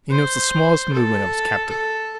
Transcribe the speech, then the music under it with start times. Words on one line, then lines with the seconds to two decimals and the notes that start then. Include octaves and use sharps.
He notes the smallest movement of his captive.
0.11 C5
0.93 A4
1.69 A4